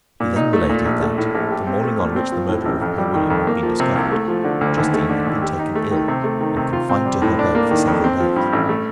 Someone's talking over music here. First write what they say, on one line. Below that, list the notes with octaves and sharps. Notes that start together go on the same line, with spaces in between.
He then related that, the morning on which the murder of poor William had been discovered, Justine had been taken ill, and confined to her bed for several days.
A#2
D#4
A3
A#2
A#1
A3
A2
A#1
G4
C4
A3
A#2
C4
F3
A2
A1
F2
G3
D#3
F2
A#3
F3
C3
C2
A3
F3
D3
D2
D#2
A3
D3
D#2
G4
D#4
A3
D#3
C3
A3
D#3
C3
F4
C4
G3
A2
D4
A#3
D#3
F2
C4
F3
G2
A1
A3